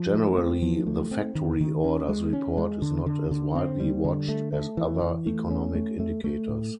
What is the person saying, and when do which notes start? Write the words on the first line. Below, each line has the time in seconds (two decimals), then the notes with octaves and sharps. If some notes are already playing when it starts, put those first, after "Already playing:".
Generally the Factory Orders report is not as widely watched as other economic indicators.
Already playing: F3
0.14 A3
0.38 C4
0.62 F3
0.87 A3
1.11 C4
1.35 D#3
1.60 D#3
1.84 C#4
2.09 G#3
2.33 C#4
2.57 G#3
2.82 D3
3.06 D3
3.31 D3
3.55 C4
3.80 G3
4.05 D3
4.28 A3
4.53 A3
4.77 E3
5.02 E3
5.26 A3
5.51 C#4
5.75 A3
6.00 A3
6.24 A3
6.49 A2